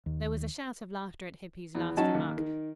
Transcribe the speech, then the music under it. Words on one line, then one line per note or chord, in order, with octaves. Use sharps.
There was a shout of laughter at Hippy's last remark.
D#2
E2
F#3 C#4 D#4 A5
D#2
D#3